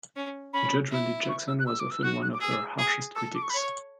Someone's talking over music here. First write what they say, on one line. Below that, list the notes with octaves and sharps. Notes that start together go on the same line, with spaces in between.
Judge Randy Jackson was often one of her harshest critics.
C#4
C#4 B5
E4
C#6
E6
F#6
E6
D6
E6
F#4 F#6
F#6
D6
G#4 E6
G#4
A4 E6
D6
C#6
B5
C#5 C#6